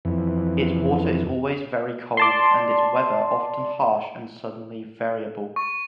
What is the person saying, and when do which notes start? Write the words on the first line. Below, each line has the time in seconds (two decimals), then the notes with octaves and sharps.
Its water is always very cold, and its weather often harsh and suddenly variable.
0.05 F2 E3
2.17 D5 A5 C6
5.56 C#6